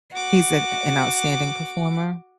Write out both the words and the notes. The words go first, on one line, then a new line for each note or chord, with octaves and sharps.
He's an an outstanding performer.
F#4 D6